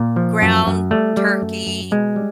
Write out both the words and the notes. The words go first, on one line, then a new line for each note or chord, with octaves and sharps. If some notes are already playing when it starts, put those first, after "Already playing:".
m ground turkey,
Already playing: A#2 A#3
F3
F#2
F#2
G3 A3
G3
F#2
F#2
B2 G#3
G3